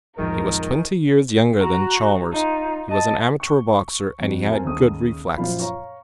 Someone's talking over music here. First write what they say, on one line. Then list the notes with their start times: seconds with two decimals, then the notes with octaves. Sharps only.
He was twenty years younger than Chalmers, he was an amateur boxer, and he had good reflexes.
0.18 C2 F2 A2 D#3 F3 G#3 A3 A#4
1.57 F#4 A#5
2.31 D#4 F4
2.88 D#5 A5
3.40 C#6 G7
4.20 F2 F#4
4.50 C4 A4 A#4 C5 G#5
4.64 D#2 C#3 A3 D#6
5.36 F#2 A#2 F3 F5 B5
5.60 C#5 F5 A#5 C#6